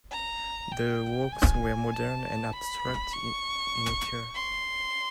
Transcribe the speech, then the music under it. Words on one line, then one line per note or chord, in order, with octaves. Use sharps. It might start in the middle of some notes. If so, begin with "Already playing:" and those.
The works were modern and abstract in nature.
A#5
G5
G#5
A5
B5
C#6
C6